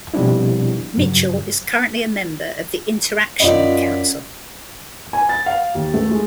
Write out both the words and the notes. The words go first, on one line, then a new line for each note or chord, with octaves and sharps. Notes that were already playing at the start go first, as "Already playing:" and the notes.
Mitchell is currently a member of the InterAction Council.
B2 F3 G3 C4 D4 E4
G2 C#3 F#3
F#2 F4 D5 D#5 B5
G#5
A6
F5
D#2
A3
G#3